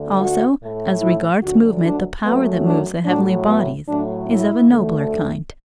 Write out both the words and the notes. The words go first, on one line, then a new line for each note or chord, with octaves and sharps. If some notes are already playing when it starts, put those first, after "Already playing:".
Also as regards movement the power that moves the heavenly bodies is of a nobler kind.
Already playing: D2 D3 A3
F#4
A2 A3
E4
D2 D3 F#3 F#4
D4
F#2 F#3 A3 B3
D4
A2 F#3 A3 D4
B3
A2 F#3 A3 D4
E4
D2 D3 A3